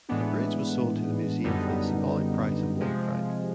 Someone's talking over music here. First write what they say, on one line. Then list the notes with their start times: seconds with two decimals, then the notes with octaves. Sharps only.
The bridge was sold to the museum for the symbolic price of one Franc.
0.09 A2 E3 G#3 B3 D4
1.44 F#2 D3 G3 B3 D#4
2.80 C3 F3 G#3